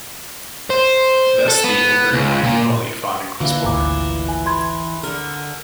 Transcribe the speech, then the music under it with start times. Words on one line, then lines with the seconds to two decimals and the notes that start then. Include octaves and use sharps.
Thus the Oberheim polyphonic was born.
0.70 C5
1.48 A4
1.64 B3
2.13 C#2
2.44 A#2
3.40 A#2 D3 E3 E4
3.64 G#1 D2 A#5 D6
4.29 G#5
4.46 B5 C6 G#6
5.03 D3 A#4